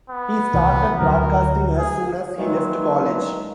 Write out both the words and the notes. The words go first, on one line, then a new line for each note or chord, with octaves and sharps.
He started broadcasting as soon as he left college.
B3
C2 E3
D2 F#3 A#4
G#4
A#2 D#3 E3 F#3 G#3